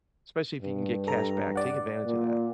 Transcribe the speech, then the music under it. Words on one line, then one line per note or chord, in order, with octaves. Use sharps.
especially if you can get cash back, take advantage of that.
G2
A4 A#5
D5 F#5
A#2